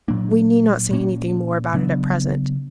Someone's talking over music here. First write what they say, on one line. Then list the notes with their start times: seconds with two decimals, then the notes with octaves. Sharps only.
We need not say anything more about it at present.
0.08 A#2 F#3 A#3 D4
0.91 A#2 A#3 C#4
1.74 C#3 F#3 B3 D4